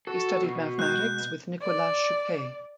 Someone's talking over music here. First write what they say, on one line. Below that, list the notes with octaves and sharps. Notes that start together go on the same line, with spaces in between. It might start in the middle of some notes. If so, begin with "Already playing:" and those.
He studied mathematics with Nicolas Chuquet.
F#4 A4
B2
G#3 F#6 G6
D5